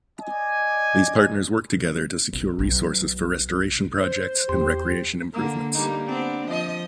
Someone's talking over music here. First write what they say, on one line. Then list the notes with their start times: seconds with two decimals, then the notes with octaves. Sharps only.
These partners work together to secure resources for restoration projects and recreation improvements.
0.20 D5 D#5 G#5
2.33 B1
2.59 B1
4.00 C5
4.49 E2 G4 C6
5.33 D3 A#3
5.74 G3 A#3 D#4
6.07 B3 C4 D4
6.48 F3 D#5